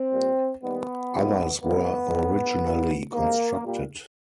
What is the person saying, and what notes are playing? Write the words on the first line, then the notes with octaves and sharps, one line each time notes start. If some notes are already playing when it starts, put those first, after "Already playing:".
Others were originally constructed.
Already playing: C4
A#2 G3 A#3
D#2 D#3 G3 A#3 B3
C#2 C3 F3 A#3
D2 C3 D#3 G3 A#3 B3
A2 F3 A3
C2 B2 G3 A#3
D2 C3 D#3 G#3 A#3
A#2 G3 A#3